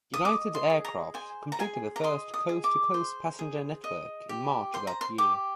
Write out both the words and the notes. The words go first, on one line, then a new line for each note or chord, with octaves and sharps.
United Aircraft completed the first coast-to-coast passenger network in March of that year.
D#6
D#5 D6
C6
G#4
A#5
C5 G#5
A#5
G#4 G#5
A#5
D#5 C6
D#6
G#4
D6
C5
G#4
D#5
G4
C5 C6
A#5
C6
G4 D6